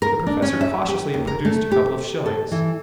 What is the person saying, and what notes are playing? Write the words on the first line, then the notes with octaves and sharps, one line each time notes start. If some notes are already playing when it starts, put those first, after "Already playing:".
The Professor cautiously produced a couple of shillings.
A#4
D4
C#4
E5
G4
D#2
A#4
A3
G4
A4
E3